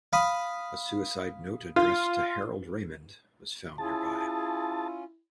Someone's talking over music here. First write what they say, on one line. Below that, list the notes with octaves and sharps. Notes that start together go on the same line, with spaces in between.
A suicide note addressed to Harald Ramond was found nearby.
F5 B5 D#6
F4
C#4 E4 F4 G#4 A5